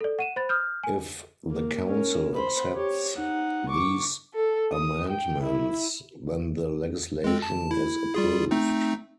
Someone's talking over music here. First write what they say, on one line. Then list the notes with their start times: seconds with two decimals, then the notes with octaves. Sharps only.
If the Council accepts these amendments then the legislation is approved.
0.01 A4 D5
0.19 F#5 D#7 E7
0.36 C5 B5 A6
0.49 D#6 F6 G6
0.83 G#5
1.50 A#3
1.86 C#4 A#4
2.35 C5 B5
2.74 G4 C#5
3.15 D#4 F#5
3.70 C#6 D6
4.34 A4
4.73 D#6
5.08 G5
5.43 E4
7.24 G#3 C4
7.42 A5
7.71 E4
8.14 G3 F4 G#4
8.51 A3 C4 D#4